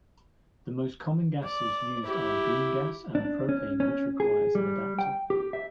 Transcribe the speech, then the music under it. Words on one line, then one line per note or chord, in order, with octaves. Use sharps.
The most common gases used are "green gas" and propane which requires an adaptor.
D5
E4 G4
D4
C#4
C#4
G#4
G3
G5
G4
E5